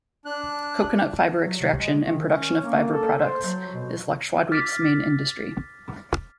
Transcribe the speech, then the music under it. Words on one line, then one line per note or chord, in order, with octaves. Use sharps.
Coconut fibre extraction and production of fibre products is Lakshadweep's main industry.
D4 F#6
F#3
C3
G#3
D#3
C#4
A#3
A4
C5
F#3
B2
D6 F6 A6 B6